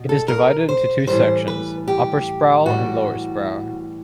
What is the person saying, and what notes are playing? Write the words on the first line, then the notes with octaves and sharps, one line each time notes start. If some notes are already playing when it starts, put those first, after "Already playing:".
It is divided into two sections: Upper Sproul and Lower Sproul.
Already playing: B2 G3
A4
A#4
C5
A2 E3 G3 C5
B4
G4
A2 E3 G3 F#4